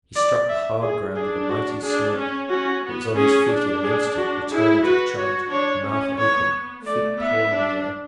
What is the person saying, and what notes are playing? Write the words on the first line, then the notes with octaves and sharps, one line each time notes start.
He struck the hard ground with a mighty snort, but was on his feet in an instant, returning to the charge, mouth open, feet pawing the air.
D5
E5
G#4
D4 G#4
F#4
D4 G#4
C#4
C#4 F#4
B3
C#4 G#4
D4
G#4
F#4
E4 G#4
F#4 B4
F#4 C#5
D4 C#5
C#4
B3 C#5
A3 D5
B3 E5
D4